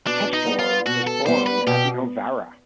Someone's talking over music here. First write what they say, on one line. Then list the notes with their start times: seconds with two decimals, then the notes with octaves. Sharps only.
Testore was born at Novara.
0.07 B2 D4
0.33 D#4
0.46 G3 B3
0.59 F4
0.86 B2 F#4
1.07 A4
1.26 G3 B3 C5
1.46 B4
1.67 B2 G4